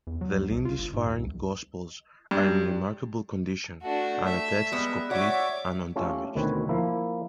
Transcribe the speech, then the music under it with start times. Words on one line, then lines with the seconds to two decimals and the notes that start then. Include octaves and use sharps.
The Lindisfarne Gospels are in remarkable condition and the text is complete and undamaged.
0.07 E2
0.21 F#3
0.38 D#2
0.51 C2
0.65 F4
0.78 G1
0.93 G#2
1.06 D#2
1.18 C2
2.31 G2
3.82 A3 D4 F#4
4.25 E5
4.72 G3 G#3 B3
5.11 F#4 C#5 D5 E5 F#5 D6
5.96 A3 C#4 F4 G4 A4
6.35 D2 B2 D#3 C4 B4 C#5
6.69 F3 A#3 E4